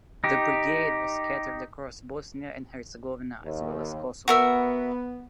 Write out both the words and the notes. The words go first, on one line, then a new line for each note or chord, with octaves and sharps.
The Brigade was scattered across Bosnia and Herzegovina as well as Kosovo.
D#4 G4
D#2
B3 F#4 A#4 E5